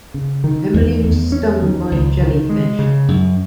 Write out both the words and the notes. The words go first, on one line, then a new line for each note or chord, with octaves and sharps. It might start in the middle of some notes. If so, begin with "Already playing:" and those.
Emily was stung by a jellyfish.
C#3
D#3
E2
E2
C#4
D#3
C#2
D#3
G#3
C#3
F#2